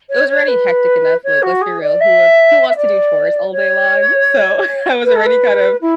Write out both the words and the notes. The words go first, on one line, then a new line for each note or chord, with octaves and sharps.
it was already hectic enough, like, let's be real, who would who wants to do chores all day long? So I was already kind of,
C#5
C#5
B4
C#5
F#4
G#4
D5
E5
E5
D5
C#5
B4
A4
B4
E4